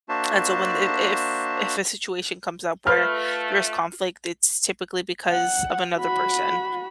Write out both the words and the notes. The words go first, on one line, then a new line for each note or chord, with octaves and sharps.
and so when, if if if a situation comes up where there is conflict, it's typically because of another person,
A#3 D4 F#4 C5 E5 A5
A3 F4 B4 F6
F#5
F#4 B5